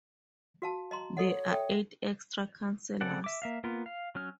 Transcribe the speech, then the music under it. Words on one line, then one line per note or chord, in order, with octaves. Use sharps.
There are eight extra councillors.
F#4 F5 A5
D#5 A#5 C6
A4 C#5 D#5 F#5
A4 E5 G5
C#3 C4 A4 D5 F#5
E5 D6
A#3 E5 F5
A#3 B3 F4
F5
F#3 C#4 F6